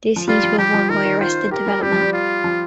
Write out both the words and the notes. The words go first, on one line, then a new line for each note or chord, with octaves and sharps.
This heat was won by Arrested Development.
F3
G3 F4
F3
F3 G4
F3
D#3 A#4
D#3
F4 C5
G4 A#4
G3
G3 G4
F3
G3
F4
F3